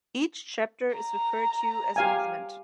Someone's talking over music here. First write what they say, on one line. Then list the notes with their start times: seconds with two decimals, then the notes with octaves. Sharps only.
Each chapter is referred to as a movement.
0.96 A#5
1.96 G4 F5 G#5